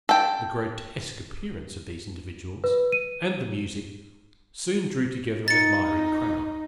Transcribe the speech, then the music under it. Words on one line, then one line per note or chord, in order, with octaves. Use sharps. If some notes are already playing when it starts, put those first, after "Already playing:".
The grotesque appearance of these individuals, and the music, soon drew together an admiring crowd.
A4 G5
B4
D#7
D#4 A6 C#7